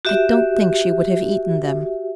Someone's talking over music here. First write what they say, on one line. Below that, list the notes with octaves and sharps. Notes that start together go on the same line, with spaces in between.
I don't think she would have eaten them.
F#4 G4 E5